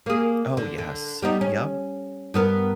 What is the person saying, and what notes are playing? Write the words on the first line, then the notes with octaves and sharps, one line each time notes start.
Oh, yes. Yep.
A#3 G#4
D3
D3
G3 B3 D#4
C#4
G2 B3 A#4